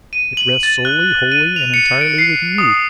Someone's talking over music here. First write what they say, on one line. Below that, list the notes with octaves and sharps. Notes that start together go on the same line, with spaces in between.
It rests solely, wholly, and entirely with you.'
D#7
F#7
A6
F#6
D#7
F7
C#7
D7
C7
D#6